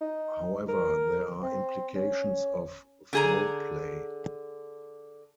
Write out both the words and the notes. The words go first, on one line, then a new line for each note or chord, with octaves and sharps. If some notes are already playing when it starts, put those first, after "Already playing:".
However, there are implications of foul play.
D#4
A#4
C4
C#4
D3 G#4 A#5